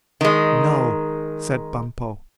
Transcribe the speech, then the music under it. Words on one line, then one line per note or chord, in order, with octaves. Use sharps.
"No," said Bumpo.
D#3 G#3